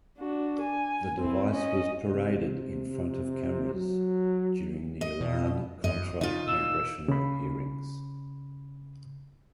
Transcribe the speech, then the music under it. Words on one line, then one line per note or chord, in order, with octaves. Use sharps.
The device was paraded in front of cameras during the Iran-Contra congressional hearings.
D4 F#4
G#5
C4 E4
C#4 D#5
C3
F#3
D#5
B2
F#2 D#5
C#3 D#4 F4
A#2 E6
C#3 B5